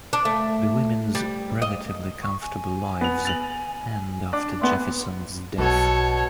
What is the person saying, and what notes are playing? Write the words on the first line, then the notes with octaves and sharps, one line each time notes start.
The women's relatively comfortable lives end after Jefferson's death.
D4
A3
G3
D#5
C#6
G#5
B3 F7
A6 F7 F#7
D4 D6
D2 B3 C6
B1 B2 A4 C#5